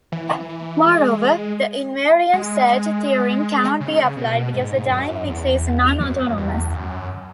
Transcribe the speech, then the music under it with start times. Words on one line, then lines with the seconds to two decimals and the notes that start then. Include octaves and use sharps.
Moreover, the invariant set theorem cannot be applied, because the dynamics is non-autonomous.
0.12 E3
0.49 E3
0.86 G#3
2.33 G#3
3.80 C#3
4.17 B2
4.54 G#2
4.90 F#2
5.27 E2
6.00 F#2
6.37 E2
6.69 E2
6.74 F#2